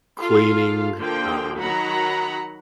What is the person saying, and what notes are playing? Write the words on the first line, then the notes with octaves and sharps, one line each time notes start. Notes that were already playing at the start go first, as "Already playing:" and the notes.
cleaning, um
F4 A4 F5
D3 F3 A#3 G5
D#3 F#3 F#4 F#5 A#5 B5